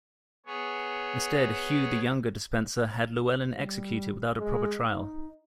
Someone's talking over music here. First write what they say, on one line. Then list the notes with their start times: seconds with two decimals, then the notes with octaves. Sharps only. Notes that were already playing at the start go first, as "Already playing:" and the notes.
Instead Hugh the younger Despenser had Llewelyn executed without a proper trial.
0.46 B3 G#4 C#5
3.54 G3
4.39 G#3
4.90 D#4